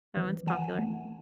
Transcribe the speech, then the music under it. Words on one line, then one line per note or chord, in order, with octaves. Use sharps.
that one's popular.
E3
E3 F#5 G#5
A3